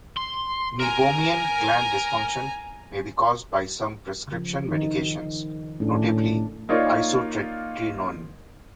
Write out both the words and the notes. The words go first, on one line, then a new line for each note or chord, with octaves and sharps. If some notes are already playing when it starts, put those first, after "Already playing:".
Meibomian gland dysfunction may be caused by some prescription medications, notably isotretinoin.
C6
A#4 G#5 A#5
C#3 F3
D#3 D#4
A2 C#4 D4 E4
A#3 D#4 F4 C#5 D5